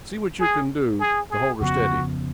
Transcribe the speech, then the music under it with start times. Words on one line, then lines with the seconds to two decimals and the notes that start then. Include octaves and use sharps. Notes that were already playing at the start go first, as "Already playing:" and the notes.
See what you can do to hold her steady.
0.40 G#4
1.00 G#4
1.30 G#4
1.61 F2 C#3 F3 B3 F#4